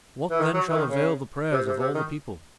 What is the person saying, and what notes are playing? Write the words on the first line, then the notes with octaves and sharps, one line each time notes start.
What, then, shall avail the prayers of All the People?
E3
D#3
F#3
E3
D#3
C#3
C3
C3
C3
D#3